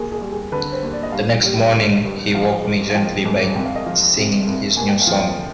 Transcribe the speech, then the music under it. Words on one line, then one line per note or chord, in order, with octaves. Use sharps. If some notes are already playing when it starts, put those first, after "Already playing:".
The next morning he woke me gently by singing his new song.
Already playing: D#2 G#4
G#4
G3
G#4
D3 B4
C5
D#2
D5
D#5
G2 F5
G3
D3
G2
F3 F5
G#2
F5
F3 G5
G#2
C2 G5
F5
D#5
F3 F5
C3
C2
D#2 G#5
G5
F5
F3
G5
D3